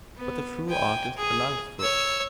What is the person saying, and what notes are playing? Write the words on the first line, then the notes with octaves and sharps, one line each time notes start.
But the true artist allows for it.
B3
G5 G#5
G#4
C#5 E6